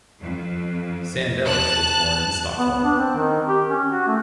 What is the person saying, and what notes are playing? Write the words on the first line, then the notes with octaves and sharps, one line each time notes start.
Sandels was born in Stockholm.
F2
A5 F#6
B3
B3
D4
C4
D#3
G4
C#4
F#4
A3